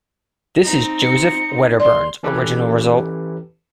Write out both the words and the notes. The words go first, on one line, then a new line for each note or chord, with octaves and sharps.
This is Joseph Wedderburn's original result.
C4 D#4
C#7
D5 C6
E3 C#4 G4 A4 B4